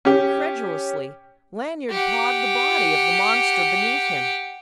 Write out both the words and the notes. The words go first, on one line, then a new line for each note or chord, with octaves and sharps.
Incredulously Lanyard pawed the body of the monster beneath him.
C#4 G4
G4 F#5